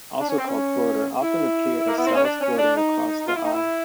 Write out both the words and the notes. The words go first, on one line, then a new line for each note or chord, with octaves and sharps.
Also called "floater" - often appear as cells floating across the eye.
D4
C#4
C4
C#4
E4
A#3
B3
C4
C#4
D4
C#4
D4
D#4
F4
E4
D#4
E4